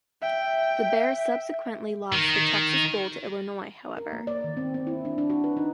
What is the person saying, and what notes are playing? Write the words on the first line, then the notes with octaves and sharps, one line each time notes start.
The Bears subsequently lost the Texas Bowl to Illinois, however.
E5 G5
D#3
A#4
A#3
D5
D#3
C4
C4
E4
D4
D4
F#4
B4
D#4